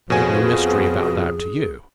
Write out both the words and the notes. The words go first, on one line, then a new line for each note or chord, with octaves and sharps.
I make no mystery about that to you.
F2 B2 F3 B3 F#4 G#4 C#5 G#5